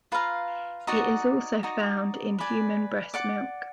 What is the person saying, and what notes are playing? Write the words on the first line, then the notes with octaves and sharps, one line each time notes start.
It is also found in human breast milk.
F4 B4 F5 A#5
D#4 F#4 D5 F#5
D#4 F#4 D5
B4 D5 G#5
D5 F#5 D6